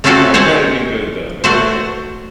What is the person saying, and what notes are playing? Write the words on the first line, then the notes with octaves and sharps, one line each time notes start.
I'll try to be good though. Go ahead.
A3 C4 C#4 F4 F#4 A4
C5 C#5 F#5 G#5 A5
A3 F#4 C5